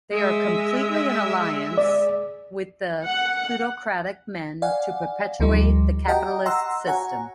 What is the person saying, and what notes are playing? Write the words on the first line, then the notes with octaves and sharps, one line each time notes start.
They are completely in alliance with the plutocratic men to perpetuate the capitalist system.
G#3 E5
D5
F#5
D5 F5 F#5 G#5
D2 F3 G3 D#4
F#4 G4 D#5 F#5 G5 A#5
D#5 F#5 A#5 C6 E6
F#4 C#5 F#5 G#5 A#5